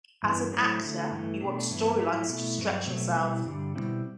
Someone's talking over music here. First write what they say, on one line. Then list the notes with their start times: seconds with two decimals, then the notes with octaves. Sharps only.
As an actor you want storylines to stretch yourself.
0.23 G2 E3 B3 D4
0.52 A2 F#3 A3 C4 E4
0.82 D3 A3 E4
1.11 G2 E3 A3
1.40 B2 A3 D4
1.70 G2 E3 B3 E4
1.99 A2 F#3 A3 E4
2.29 B2 A3 E4
2.58 G2 F#3 C4
2.87 B2 F#3 A3 C4
3.17 B2 G3 C4 E4
3.46 G2 D3 G3
3.75 B2 G3 C4 E4